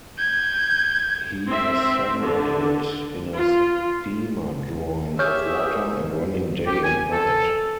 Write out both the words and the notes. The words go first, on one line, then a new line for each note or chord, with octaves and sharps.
He ascended it in a steamer drawing of water, and running day and night.
G6 G#6
C4 E5
D3
F4
G4 G#4 C#5 E5 F6 G6
G4
G#5
A4